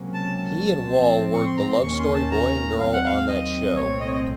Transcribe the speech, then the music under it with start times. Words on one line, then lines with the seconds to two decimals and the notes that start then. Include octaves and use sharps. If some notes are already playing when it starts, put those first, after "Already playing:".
He and Wall were the "Love Story Boy and Girl" on that show.
Already playing: C#2 C3 F#3 A#3 C#4
0.14 A5
0.37 A5
0.87 A2 F3 C4
1.34 C#6
1.46 C6
1.57 A#5
1.68 C6
1.82 D#2 D#3 A#3 C#4 C#6
1.99 C6
2.14 A5
2.31 A#5
2.79 D#2 D#3 F#3 C4 F5
2.93 F#5
3.06 F5
3.28 D#5
3.76 C2 A#2 A3 C4 C#5
4.00 D#5
4.06 C#5
4.14 D#5